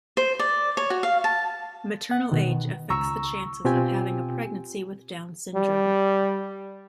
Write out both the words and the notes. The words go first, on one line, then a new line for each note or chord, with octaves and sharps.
Maternal age affects the chances of having a pregnancy with Down syndrome.
C5
D5
C#5
F#4
F5
A5
F#5
B2 D#3
C#2 A#5 C#6 E6
B2 C4 F4 G4 G5 G#5
G3